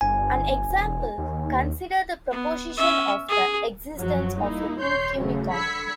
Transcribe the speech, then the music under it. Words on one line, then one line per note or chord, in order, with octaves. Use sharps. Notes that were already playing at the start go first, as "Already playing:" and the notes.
An example: Consider the proposition of the existence of a "pink unicorn".
G1 G#5
E1
D#2
B3
C#4 E5
G#4
F#2 F3 F#3
G3 A#3 D#4 E4
C#5 C6 G6 C7
F#2 C#3 F#3 A3
D3 B5 E6 G#6 B6 C#7